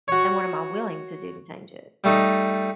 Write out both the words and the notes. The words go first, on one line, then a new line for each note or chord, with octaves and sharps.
and what am I willing to do to change it?
F#4 C#5
G3 A3 D#4